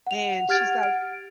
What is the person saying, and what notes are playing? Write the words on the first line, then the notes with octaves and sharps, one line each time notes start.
and she's like,
F#5 F7
G4 F#5 F6 G#6 A6 D7
D7